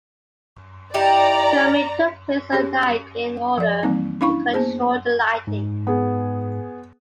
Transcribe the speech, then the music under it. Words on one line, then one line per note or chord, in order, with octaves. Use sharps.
Filming took place at night in order to control the lighting.
D#4 E4 G4 D5 A#5
C#4 G4 G#4 C#5
F3 D5
E3 G3 A#3 C4 D#4
C#4 D4 E4 F5 B5 C#6
A#3 B3 G#4 C5
G#2
B3 G#4